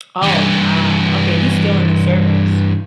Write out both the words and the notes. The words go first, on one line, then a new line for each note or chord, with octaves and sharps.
Oh, wow. Okay, he's still in the service.
G2 E3